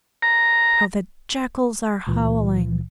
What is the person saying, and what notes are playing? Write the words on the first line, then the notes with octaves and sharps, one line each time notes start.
How the jackals are howling....
A#5
C#2 A#2 E3